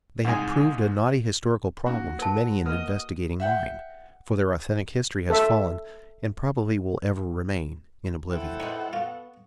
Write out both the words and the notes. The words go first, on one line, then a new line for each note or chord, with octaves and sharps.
They have proved a knotty historical problem to many an investigating mind; for their authentic history has fallen, and probably will ever remain in oblivion.
C2 G#2 G#3 G#5
A#3 C#4 D#4 F#4
A#4 B4 A5
A#3 A#4 B4 D#5 D#6
E5 F#5 G5
A4 E5
E4 A4 C5 F#5 G5
B2 G3 G#3 D#4 C#6
B3 F4 C#6